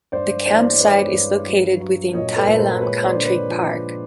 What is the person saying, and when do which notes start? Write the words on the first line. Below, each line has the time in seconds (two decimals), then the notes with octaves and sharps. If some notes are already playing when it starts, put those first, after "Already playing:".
The campsite is located within Tai Lam Country Park.
0.12 G2 C5 D5
0.46 E3 C5 D5
0.73 D5
0.80 G#3 B4 C#5
1.13 G2
1.46 F#3
1.80 F#3
2.13 A#2 C#5 D#5
2.36 A4 B4
2.47 A#2
2.59 A#4 C5
2.81 G#3 B4 C#5
3.03 C5 D5
3.15 D3
3.25 B4 C#5
3.48 F3